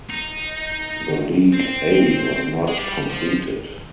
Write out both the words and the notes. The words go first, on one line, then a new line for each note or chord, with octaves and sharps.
The league A was not completed.
D#4
C4
G#3
G3
F3